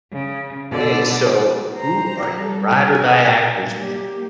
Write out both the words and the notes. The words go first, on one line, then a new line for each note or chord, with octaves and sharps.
Hey, so who are your ride or die actors, man,
C#3
B2 D3 D5
C5 A#5
G3 A4
A#4 G#5
A#3 G4